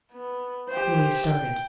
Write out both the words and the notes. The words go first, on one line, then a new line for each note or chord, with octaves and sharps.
Louis started.
B3
G4 C5
G5